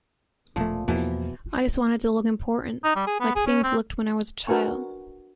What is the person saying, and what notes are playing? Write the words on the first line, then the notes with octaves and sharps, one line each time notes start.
I just wanted to look important, like things looked when I was a child.
E1 A#2 F3 A3
E2 B2 E3 F3 A#3
D#4
G3
G#4
B3
G#4
C#4
C4
D4 F#4 A#4 B4 G#5 C#6